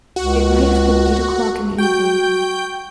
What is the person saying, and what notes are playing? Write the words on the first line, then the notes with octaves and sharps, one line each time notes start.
It might have been eight o'clock in the evening.
C#2 F#4
F#4 G5 G6